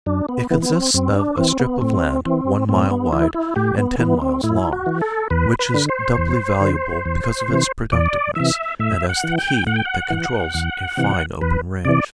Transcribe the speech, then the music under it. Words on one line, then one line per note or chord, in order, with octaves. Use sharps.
It consists of a strip of land one mile wide and ten miles long, which is doubly valuable because of its productiveness and as the key that controls a fine open range.
F#2 D4
B3
E3 B3
B3
C4
F#2 C4
D4
E3 C4
B3
A2 C4
E3 C4
A2 C4
B3
E3 E4
E4
A2 G4
B3
E3 B3
C4
A2 E4
F#4
E3
A4
E2 B4
B4
D3
C5
E2
D3
E2
C3 E3
E2 D5
C3 E3 E5
A2 E5
F#5
E3
G5
A2 F#5
G5
F#5
E3
E2
C3 E3
E2 B4
C3 E3 D5